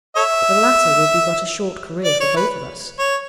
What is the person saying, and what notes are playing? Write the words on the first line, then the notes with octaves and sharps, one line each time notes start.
But the latter will be but a short career for both of us.
A4 C#5 E5
D5
C#5
B4
C#5